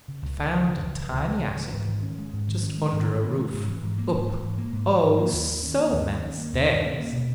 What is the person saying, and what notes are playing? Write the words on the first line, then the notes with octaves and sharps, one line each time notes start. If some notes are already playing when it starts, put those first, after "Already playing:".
He found a tiny attic, just under a roof, up, oh! so many stairs.
C#3
C#2
E3
C#2
C#3
C#2
E3
C#2
C#3
C#2
E3
G#2
D#3
C#4
G#3
G#2
D#3
C#4
G#3
G#2
D#3
C#4
G#3
G#2
E3
G#2
A#3
G#2
E3
G#2
A#3
G#2
E3
G#2
A#3
D#2
D#3
C#4
A#3
D#2
D#3
C#4
A#3
D#2
D#3
C#4
A#3
B2